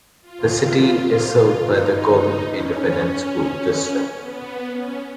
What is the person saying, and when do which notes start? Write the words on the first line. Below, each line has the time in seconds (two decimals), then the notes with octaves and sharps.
The city is served by the Gorman Independent School District.
0.22 F4
1.34 F4
1.62 D#4
1.91 D#4
2.46 C#4
4.15 B3
4.71 C#4